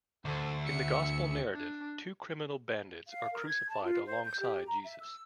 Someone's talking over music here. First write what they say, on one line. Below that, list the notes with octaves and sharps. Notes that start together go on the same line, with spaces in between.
In the Gospel narrative, two criminal bandits are crucified alongside Jesus.
D2 A4 C5
E5 C#7
D4
F5
A#4
G#6
A5
F4
C5
G6
G4
A#5
E5
E6